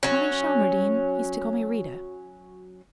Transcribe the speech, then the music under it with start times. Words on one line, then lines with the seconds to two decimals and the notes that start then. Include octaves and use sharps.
Connie Shelmardine used to call me Rita.
0.03 F#3 C#4